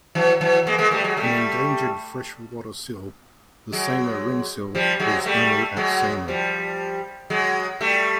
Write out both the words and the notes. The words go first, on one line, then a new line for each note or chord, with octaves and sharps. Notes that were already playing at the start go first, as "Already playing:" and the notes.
An endangered freshwater seal, the Saimaa Ringed Seal, lives only at Saimaa.
E3 F#3
E3 F#3
G#3 A#3
G#3 A#3
G3 A3
F#3 G#3
G3 A3
F#3 G#3
F3 G3
F#3 G#3
G3 A3
F#3 G#3
F3 G3
F#3 G#3
G3 A3